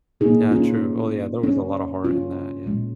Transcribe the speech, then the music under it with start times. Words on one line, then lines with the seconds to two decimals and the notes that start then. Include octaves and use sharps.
Yeah, true, oh, yeah, there was a lotta heart in that, yeah.
0.20 A#2 A#3 D#4 G#4
0.51 C#4 F4
1.43 C#4
2.04 C#4 F4
2.66 A#2 G#3